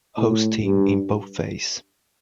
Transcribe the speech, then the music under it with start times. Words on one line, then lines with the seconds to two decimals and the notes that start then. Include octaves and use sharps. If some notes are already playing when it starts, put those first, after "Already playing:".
Host team in boldface.
0.17 A2
0.63 G2